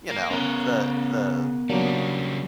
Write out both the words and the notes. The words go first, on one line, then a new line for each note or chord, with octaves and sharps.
you know, the the
A#3
C#3 B3 A#4
C#3 F#3 G3 A#3 D4